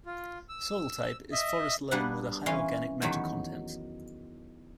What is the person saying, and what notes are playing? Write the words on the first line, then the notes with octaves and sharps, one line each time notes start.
Soil type is forest loam with a high organic matter content.
F4
E6
D#5 E5
G3 A#3 B3 D4 B4 F#5
E3 C#4 F5 C6
E2 D#3 F#3 G4 B5